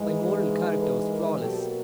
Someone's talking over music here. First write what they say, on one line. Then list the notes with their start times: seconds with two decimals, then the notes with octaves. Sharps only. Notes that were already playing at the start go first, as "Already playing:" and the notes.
My moral character was flawless.
Already playing: G#2 E3 G#3
0.78 A4 B4
1.08 G#4 A#4
1.39 B2 F#3 A#3 G4 A4